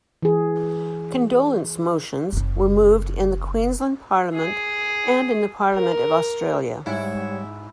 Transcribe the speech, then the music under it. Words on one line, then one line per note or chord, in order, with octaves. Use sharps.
Condolence motions were moved in the Queensland Parliament and in the Parliament of Australia.
E3 G#4
F#1 C#3
G#4
A#4
G#2 G3 E4 C#5